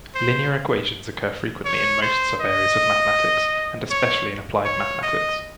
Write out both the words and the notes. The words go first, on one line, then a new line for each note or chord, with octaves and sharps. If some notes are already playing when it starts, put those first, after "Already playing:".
Linear equations occur frequently in most subareas of mathematics and especially in applied mathematics.
C5
C#5
C5
D#5
C#5
C#5
D#5